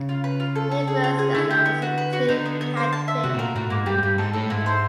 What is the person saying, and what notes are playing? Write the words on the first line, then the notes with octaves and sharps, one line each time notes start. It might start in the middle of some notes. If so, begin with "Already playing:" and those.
Nicholas Mehler was the team captain.
Already playing: C#3
F4
B4
F4
A4
A4
G#4
F4
G#4
D3 E4
G4
B3
F#4
B4
F#4
D3 D#4
B3
B3
C5
A5
E5
C3 F#4
A2
A#2 A#4
A2 F#4
G#2 A#3
G2 G4
G#2
G2 G4
G#2 A4
A2 A4
G#2 E4
C5